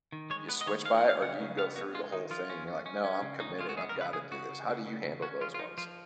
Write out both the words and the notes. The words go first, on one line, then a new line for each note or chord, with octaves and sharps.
you switch by it or do you go through the whole thing and you're like, "No, I'm committed, I've gotta do this," how do you handle those ones?
D#3
G#3 C#5
B3 B4
D#5
D#3 C#5
G#3 F5
F#5
C#4
F5
C#3 F#5
C#3
B3 F5
B3 F#4
G#3 F4
D#3 D#4
F3 F4
C#4
C#4
C#4
C#4
C#3
C#4 D#4
G#3 F4
F#4
B3 G#4
A#4
C#3
B4
C#3 G#4
C#3 F#4
C#3
C#3
C#3
C#3
C#4 F#4
F3 F4
F4
F3 D#4
F3 F4